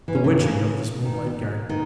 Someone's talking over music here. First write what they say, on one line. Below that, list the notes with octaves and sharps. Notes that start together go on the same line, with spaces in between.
The witching of this moonlit garden!
E3
C#4
E3
D#3
C#3
D#3
D#3